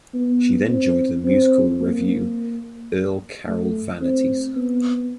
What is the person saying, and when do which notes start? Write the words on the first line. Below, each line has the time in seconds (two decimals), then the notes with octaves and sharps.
She then joined the musical revue "Earl Carroll Vanities".
0.14 B3
0.70 C4
1.25 C4
1.81 A#3
3.47 A3
4.02 C4
4.57 B3